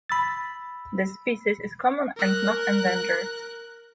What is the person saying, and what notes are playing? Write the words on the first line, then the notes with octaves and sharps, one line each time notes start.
The species is common and not endangered.
B5 E6 A6
A#4 F#6